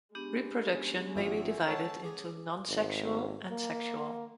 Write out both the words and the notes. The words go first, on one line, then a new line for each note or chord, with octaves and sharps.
Reproduction may be divided into nonsexual and sexual.
G#3 B3 C#4 D4 G4
G#1 F3 E5
A4 C#5 F#5 A5
G#4 D6
G#1
A#3